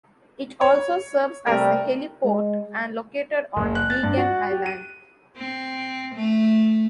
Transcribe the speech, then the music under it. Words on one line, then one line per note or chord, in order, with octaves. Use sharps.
It also serves as a heliport and located on Beigan Island.
C#5
C3 G3 A3 A#4
G#3
F#1
F#6
A6
G2
F#4
G4
D#7
C4
A3